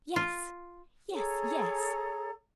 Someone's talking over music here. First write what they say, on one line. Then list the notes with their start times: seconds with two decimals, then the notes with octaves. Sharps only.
Yes, yes, yes!
0.16 F4
1.12 G#4 A4 C#5 A#5